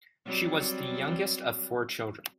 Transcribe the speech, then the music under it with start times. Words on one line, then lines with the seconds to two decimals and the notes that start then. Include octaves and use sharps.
She was the youngest of four children.
0.26 F#3 G3 C4